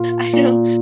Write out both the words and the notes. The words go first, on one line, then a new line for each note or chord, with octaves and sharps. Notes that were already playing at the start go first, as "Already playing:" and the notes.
I don't,
Already playing: A#2 F4
A#2